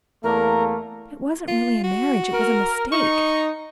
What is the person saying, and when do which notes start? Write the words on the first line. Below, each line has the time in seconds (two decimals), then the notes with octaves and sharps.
It wasn't really a marriage; it was a mistake.
0.24 E2 A3 A#3 A#4
1.48 F4
1.84 F#4
2.34 A#4
2.92 D#4 C#6